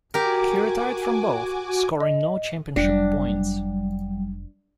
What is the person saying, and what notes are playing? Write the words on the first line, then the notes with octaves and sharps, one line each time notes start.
He retired from both, scoring no championship points.
F#4 G4 A#4 G#5 D6
D#5
F1 F#3 G3 D4